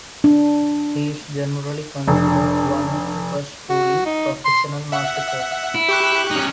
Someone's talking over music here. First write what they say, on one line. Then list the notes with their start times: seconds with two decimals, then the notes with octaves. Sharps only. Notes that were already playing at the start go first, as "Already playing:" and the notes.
He is generally considered one of the first truly "professional" master chefs.
0.24 D4
2.08 F1 D4
3.70 F#4
4.06 D#4
4.45 C6
4.92 E5 F#5
5.75 E4
5.89 G4 C#6 F#6
6.31 C#4 D#4